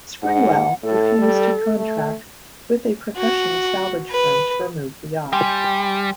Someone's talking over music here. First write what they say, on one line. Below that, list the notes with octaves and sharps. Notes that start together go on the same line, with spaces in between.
Sprewell refused to contract with a professional salvage firm to remove the yacht.
G#2 F#5
A2 A4
G3
A3
F#4
B4
G3 G5 G#5 C6